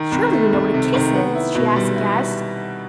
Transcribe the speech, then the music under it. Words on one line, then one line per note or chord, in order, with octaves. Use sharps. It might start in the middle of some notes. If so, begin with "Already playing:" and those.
"Surely you know what a kiss is?" she asked, aghast.
Already playing: D#3
C2
A3
C2
C3
D#3
B3
E4
B2
G3
E4